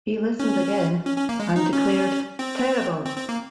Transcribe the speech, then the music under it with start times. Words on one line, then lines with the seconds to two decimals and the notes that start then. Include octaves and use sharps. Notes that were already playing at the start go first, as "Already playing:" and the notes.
He listened again and declared 'Terrible!
0.40 C#4
1.06 C#4
1.17 C#4
1.29 A#3
1.40 G#3
1.56 D#4
1.73 C#4
2.39 C4
3.06 C4
3.17 C4
3.29 A#3